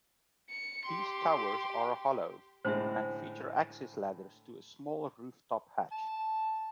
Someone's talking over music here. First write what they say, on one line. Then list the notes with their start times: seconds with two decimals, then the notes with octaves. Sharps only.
These towers are hollow, and feature access ladders to a small roof top hatch.
0.50 C#7
0.86 G4 C6
2.65 A2 D3 G#3 C5 E5
5.92 A5